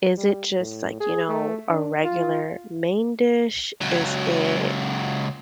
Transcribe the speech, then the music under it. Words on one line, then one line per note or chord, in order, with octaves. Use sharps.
is it just, like, you know, a regular main dish? Is it
G3
A2
G#4
A3
D4
F4
C#2 F#3